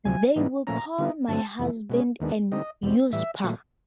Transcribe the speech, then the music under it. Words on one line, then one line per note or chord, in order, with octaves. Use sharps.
They will call my husband an usurper!
D2 C3 F3 G#5
G#2 E3 G3 B3 D#4
A#2 F3 A3 C#4 A#5
D3 G3 B3 D#4
G2 D3 F#3 A3 C4 A5
F2 C3 E3 A3
B2 G#3 C#4
D#2 D#3 G#3 B3 D4
D3 G3 C4 D#4 D#5
E2 B2 G3 C4
A2 E3 G3 E5
A#2 F#3 A3